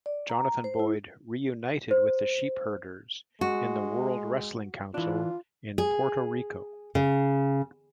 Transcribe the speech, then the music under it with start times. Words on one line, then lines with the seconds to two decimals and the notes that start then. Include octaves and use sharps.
Jonathan Boyd reunited with the Sheepherders in the World Wrestling Council in Puerto Rico.
0.06 D5
0.30 A#5
0.64 C5
0.79 E4
1.91 C5
3.41 G#3 F#4
4.94 E3 D4 F4
5.78 G#4
6.95 C#3